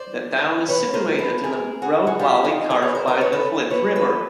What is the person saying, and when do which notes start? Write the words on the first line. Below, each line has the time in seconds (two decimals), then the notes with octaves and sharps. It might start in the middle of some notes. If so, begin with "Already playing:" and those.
The town is situated in a broad valley carved by the Flint River.
Already playing: C5 D5
0.68 B4 C#5
0.94 A#4 C5
1.19 A4 B4
1.44 G#4 A#4
1.82 F#4 G#4
2.07 F#4 G#4
2.19 F4 G4
2.44 D#4 F4
2.70 G#4 A#4
2.82 B4 C#5
2.95 A#4 C5
3.07 A#4 C5
3.21 B4 C#5
3.33 A4 B4
3.70 B4 C#5
3.96 A4 B4